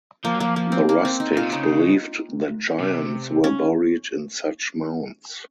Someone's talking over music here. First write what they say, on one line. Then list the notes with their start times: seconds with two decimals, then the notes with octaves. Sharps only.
The rustics believed that giants were buried in such mounds.
0.25 F3 A#3
0.35 F#3
0.40 A#3
0.46 F3
0.56 A#3
0.72 C4
0.89 A#3
1.05 C4
1.20 D#4
1.34 A#2 F4
1.43 C3
1.52 C#3 D#4
2.80 C3
3.44 C#4